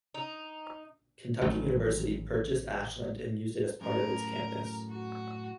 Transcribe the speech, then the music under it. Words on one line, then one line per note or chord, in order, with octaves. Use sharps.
Kentucky University purchased Ashland and used it as part of its campus.
D#4
A1 D#3 F#3 A3
F#2 A2 A#4
F#4